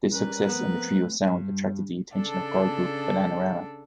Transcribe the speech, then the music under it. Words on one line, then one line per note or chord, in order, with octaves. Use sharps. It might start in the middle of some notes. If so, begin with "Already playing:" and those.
This success and the trio's sound attracted the attention of girl group Bananarama.
G3 C#4 A#4 B4
F3 A3 B3 C4
G2
C#3 D4 A4